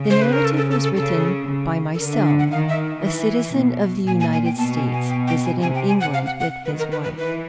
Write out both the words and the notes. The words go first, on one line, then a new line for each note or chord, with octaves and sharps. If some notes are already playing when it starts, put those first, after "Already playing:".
The narrative was written by myself--a citizen of the United States, visiting England with his wife.
Already playing: C#3
C5
B4
A#4
A4
A4
A4
A4
C#3 A4
C#3
A4
D3 A#4
E5
F#5
F#5
D#3 F5
E5
E3
B2
A#2 G#5
G#5
G#5
G5
B2 A5
G#5
G#5
G5
G5
G#5
C3 G#5
G5
G#5
F#5
F5
F#5
F#5
D#3 B4
A#4
B4
B4
E3 B4